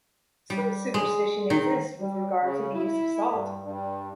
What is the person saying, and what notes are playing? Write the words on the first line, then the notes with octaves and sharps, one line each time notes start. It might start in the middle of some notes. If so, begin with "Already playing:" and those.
Some superstition exists with regard to the use of salt.
G3
G#3
D#3
G3
C#3
E4
G2
G2